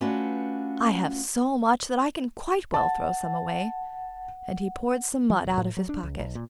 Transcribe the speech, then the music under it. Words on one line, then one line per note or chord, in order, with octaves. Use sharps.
'I have so much that I can quite well throw some away!' and he poured some mud out of his pocket.
A3 C#4 D4 F4 F#4 B4
F#5 A5
F3
E1
A2
F#3
D4
C#2
B1
A#2